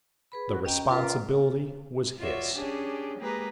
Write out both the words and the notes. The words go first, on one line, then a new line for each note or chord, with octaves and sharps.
The responsibility was his.
G#4 B4 B5
F#4
C#4 D#5 G5 A#5
C#4 F4 A#4 B4
D5 A#5
F4 F#4 C#5 D5 E5
C#4 D4 G4 G#4
G#3 A#3 G4 G#4 B4 A#5